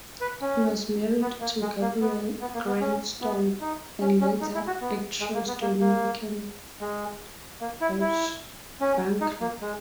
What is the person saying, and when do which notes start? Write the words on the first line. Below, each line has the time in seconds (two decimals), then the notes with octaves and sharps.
He was married to Gilberte Graillot, and later actress Dominique Blanchar.
0.21 B4
0.41 C#4
1.21 B3
1.41 A#3
1.61 G#3
1.81 A#3
2.01 B3
2.41 B3
2.54 A#3
2.67 B3
2.80 C#4
3.21 B3
3.61 D#4
4.01 C#4
4.20 C#4
4.41 D#4
4.54 E4
4.67 F#4
4.81 B3
5.20 G#3
5.34 A#3
5.47 B3
5.61 A#3
5.81 A#3
6.81 G#3
7.61 A#3
7.81 E4
8.01 E4
8.81 C#4
9.21 D#4
9.41 A#3
9.61 G#3